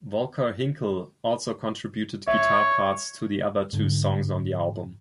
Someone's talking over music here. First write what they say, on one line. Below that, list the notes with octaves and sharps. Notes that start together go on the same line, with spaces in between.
Volker Hinkel also contributed guitar parts to the other two songs on the album.
C#5 E5
G#2 D3